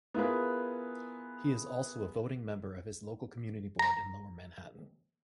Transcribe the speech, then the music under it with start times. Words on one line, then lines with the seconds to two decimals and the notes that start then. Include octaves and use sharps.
He is also a voting member of his local community board in lower Manhattan.
0.14 B3 E4 F4 G#4 A#4 B4
3.79 A#5